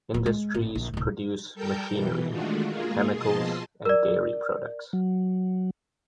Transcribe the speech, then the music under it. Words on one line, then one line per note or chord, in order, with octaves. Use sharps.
Industries produce machinery, chemicals and dairy products.
D1 F#3
G#3
G#1
A#1
D1 C2
G3 A4 A#4 G5 G6
B2 E3
D#3 G#3 A3 D4 F4 F#4
G#3 A#3 F4 G#4
B2 F3 G#4 D#5 A5 C6
A#4 D5
F#3